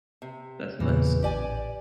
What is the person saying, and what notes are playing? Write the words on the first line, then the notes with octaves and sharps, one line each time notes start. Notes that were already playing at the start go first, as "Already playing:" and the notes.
That's nice.
C3
E2 A#2 C#3 E3
A1 G4 D5 G#5